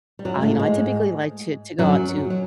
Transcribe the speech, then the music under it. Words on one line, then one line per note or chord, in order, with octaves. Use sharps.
uh, you know, I typically like to to go out to
G3
F#2 F#3
G#3
A2 A3
G#2 G#3
F#2 F#3
F#3